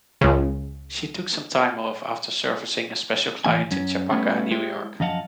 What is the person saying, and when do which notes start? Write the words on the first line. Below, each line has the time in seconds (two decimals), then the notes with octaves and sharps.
She took some time off after "servicing" a special client in Chappaqua, New York.
0.21 C#2 C#3
3.44 A2 E3 C4 G#5
3.71 F#2 C#4
4.10 G3 A3 B3 C#4 D4 E4
4.51 G#3 E4 G4 C5
5.00 F#2 F3 D#5 F5 F#5 A5